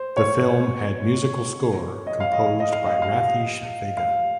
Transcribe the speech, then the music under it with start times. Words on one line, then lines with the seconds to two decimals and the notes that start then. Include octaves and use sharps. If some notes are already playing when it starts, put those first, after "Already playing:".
The film had musical score composed by Ratheesh Vega.
Already playing: C5
0.17 C#5
2.07 D#5
2.20 F5
2.33 D#5
2.46 F5
2.60 D#5
2.72 F5
2.86 D#5
3.02 F5
3.97 F5